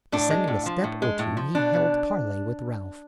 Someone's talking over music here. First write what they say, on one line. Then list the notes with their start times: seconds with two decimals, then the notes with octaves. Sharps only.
Descending a step or two he held parley with Ralph.
0.12 A2 D4
0.30 G#3
0.48 A2
0.66 F3
0.84 A2
1.02 G#3
1.19 A2
1.37 F3
1.55 B2 D4
1.73 B2